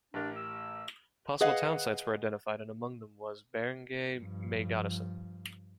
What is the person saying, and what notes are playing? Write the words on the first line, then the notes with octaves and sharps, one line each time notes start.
Possible town sites were identified and among them was Barangay Maygatasan.
A1 D4 G4 A#4
E6
G#4 B4 D#5 F5 F#5
G2 F3